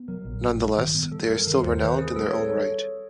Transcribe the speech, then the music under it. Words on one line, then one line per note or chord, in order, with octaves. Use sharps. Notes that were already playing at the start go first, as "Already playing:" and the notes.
Nonetheless, they are still renowned in their own right.
Already playing: B3
F#3 A#4
A#1
A2
G2
D#3
B3
G3 A4
G2 A#4
D#3 A#4
D#2 C5
D#3 B4
C4 G#4
G3 A4
C#5